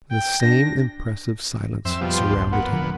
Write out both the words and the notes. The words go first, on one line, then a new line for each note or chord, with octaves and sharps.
The same impressive silence surrounded him.
G5
D4 A#6
F2 C4 E5
B2 F3 G3
C6
D1 A1
A#2 B3 F#5
E1 D3 F3